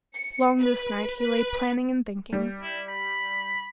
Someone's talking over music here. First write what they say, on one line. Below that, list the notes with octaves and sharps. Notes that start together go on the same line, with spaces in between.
Long this night he lay planning and thinking.
C#7
B4
B4
G3
E4
B5